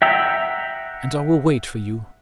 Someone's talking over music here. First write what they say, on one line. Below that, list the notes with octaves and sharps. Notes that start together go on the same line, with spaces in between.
And I will wait for you.
E5 F#5 G5 A#5 E6